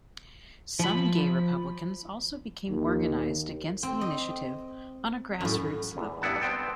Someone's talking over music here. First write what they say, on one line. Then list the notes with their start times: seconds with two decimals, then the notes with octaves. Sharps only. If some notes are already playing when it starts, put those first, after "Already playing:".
Some gay Republicans also became organized against the initiative on a grassroots level.
0.79 F3 B5
2.70 D#2
3.83 C4
4.01 D#5
5.41 F#2 A2
5.97 E2
6.22 G2 B3 E4 F#5 A5
6.41 B3 C4 G5 A5